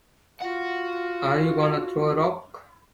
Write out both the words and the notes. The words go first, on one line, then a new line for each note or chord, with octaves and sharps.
Are you gonna throw a rock?
F4 F#4 F#5